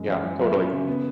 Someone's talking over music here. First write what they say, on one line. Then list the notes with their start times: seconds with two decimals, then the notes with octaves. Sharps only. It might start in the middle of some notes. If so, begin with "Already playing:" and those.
Yeah, totally.
Already playing: F#2 G#3
0.08 E3
0.23 E3
0.39 F#3 B4 E5
0.56 C#4
0.72 C#3
0.88 B3